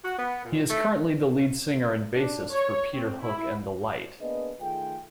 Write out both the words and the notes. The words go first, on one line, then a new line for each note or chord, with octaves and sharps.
He is currently the lead singer and bassist for Peter Hook and the Light.
F#4
B3
A#2
A3
D4
C#5
C4
E4
A#3 B3 D4 G#4 B4 D#5
D#3 A3 F4 G#4 G5